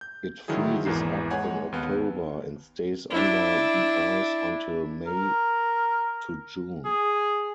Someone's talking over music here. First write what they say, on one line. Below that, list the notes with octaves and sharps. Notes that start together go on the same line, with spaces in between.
It freezes up in October and stays under the ice until May-June.
G6
D3 D#3 F#3 E4 G#4
G#1 E2 E3 A#3 C7
G#3 C#5 F#5 G#5
D#2 B3
D4 E4
A#4
G#4